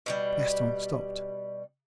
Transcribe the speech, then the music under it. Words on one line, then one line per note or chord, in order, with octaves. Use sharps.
Gaston stopped.
B2 E3 G3